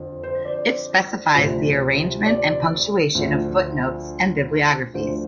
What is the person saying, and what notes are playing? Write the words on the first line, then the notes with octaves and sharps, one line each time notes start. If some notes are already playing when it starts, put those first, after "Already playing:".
It specifies the arrangement and punctuation of footnotes and bibliographies.
Already playing: F2 D3 F3
C5
D5
D2 C3 F3
D5
D2 D3 F3
D2 D3 F3 C5